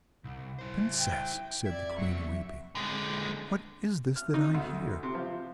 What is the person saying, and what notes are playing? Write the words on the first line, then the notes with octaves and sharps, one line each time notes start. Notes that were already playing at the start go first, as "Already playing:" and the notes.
Princess," said the Queen, weeping, "what is this that I hear?
C2
E4 C5
G5
F2 D5 E5 G#6
F#3 A#3 E5 C#6
D3 G#3
F6
D#4
D2
C3
F3